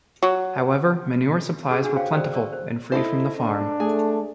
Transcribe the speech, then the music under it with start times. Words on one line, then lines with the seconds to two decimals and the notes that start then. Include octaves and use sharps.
However, manure supplies were plentiful and free from the farm.
0.23 F#3
1.71 C#4 G4 G#4 F#5 D6 E6
1.83 D4 F#4 G#4 F#5
1.96 F#4 C5 C#5 F5 G5
2.13 F#4 C5 D5 G5 D#6 E6
2.33 D5 C6 C#6 E6
2.53 C5
2.92 D#4 E4 A4 C5
3.39 D4
3.80 A3 G#4